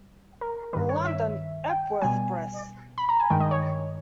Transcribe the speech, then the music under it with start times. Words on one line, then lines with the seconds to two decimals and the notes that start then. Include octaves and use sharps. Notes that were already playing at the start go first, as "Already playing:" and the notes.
London: Epworth Press.
Already playing: G3
0.41 A#4
0.73 G2 D#3 G3 B4
0.89 C#5
1.06 E5
1.70 G5
2.02 B2 G3 G#5
2.98 B5
3.09 A#5
3.20 G#5
3.30 G2 D#3 G#3 G5
3.40 D#5
3.51 C#5